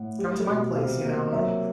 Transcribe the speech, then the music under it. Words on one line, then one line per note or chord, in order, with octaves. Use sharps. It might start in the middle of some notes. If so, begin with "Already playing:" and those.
come to my place," you know, "it'll
Already playing: A2 F#5
G3
B2
C3 F5
A#3
F#3 E5